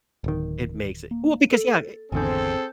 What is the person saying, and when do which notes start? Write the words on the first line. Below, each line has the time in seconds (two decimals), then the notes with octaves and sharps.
it makes it well, because, yeah it
0.24 D1 D#3
1.11 A#3
1.52 A4
2.12 G#1 E2 D3 C4 G#4 A4 G#5 G6